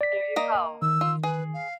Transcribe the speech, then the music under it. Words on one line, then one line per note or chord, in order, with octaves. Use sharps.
There you go.
D5 B6
A#3 D#5 A#5
D#3 E6
F4
G#4 B4
F5